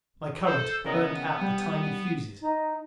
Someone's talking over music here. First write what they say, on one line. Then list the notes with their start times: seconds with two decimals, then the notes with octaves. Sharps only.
My current burned out the tiny fuses.
0.46 A4 C5
0.85 C#3 B3 A#4 D#5
1.41 G3
2.40 D#4